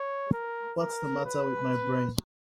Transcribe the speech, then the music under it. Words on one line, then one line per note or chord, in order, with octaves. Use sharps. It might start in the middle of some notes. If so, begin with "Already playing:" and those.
What's the matter with my brain?
Already playing: C#5
A#4
A#4
B4